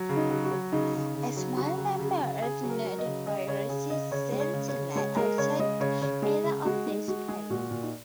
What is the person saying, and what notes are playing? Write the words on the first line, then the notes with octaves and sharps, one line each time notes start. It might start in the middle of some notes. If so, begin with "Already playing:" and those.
A small number of nodoviruses seem to lie outside either of these clades.
Already playing: F#3
C#3
D#4
F#3
F#4
F#3
C#3 D#4
C#3
C#3
F#3
C#3 F#4
F#3
C#3
C#3
C#3 G#4
F#3
A#4
F#3
D#5
C#3
C#3 D#5
C#3 C#5
C#3 G#4
C#3 D#5
C#3 C#5
G#3
C#5
C#3
C#5
C#3
G#3 C#5
G#3 A#4
C#3 C#5
G#3 D#5
C#3 C#5
C#3 C#5
G#3 G#4
C#3
G#3 F#4
G#3 D#4
G#3 F#4
G#3 G#4
A#2 F#4
A#2
D#4